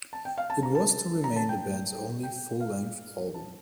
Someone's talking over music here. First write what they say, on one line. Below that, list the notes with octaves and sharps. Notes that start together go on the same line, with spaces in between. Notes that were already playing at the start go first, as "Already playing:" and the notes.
It was to remain the band's only full-length album.
A5
G5
F5
A5
A#5
A5
A#5
A5
G5
G5
F5
A5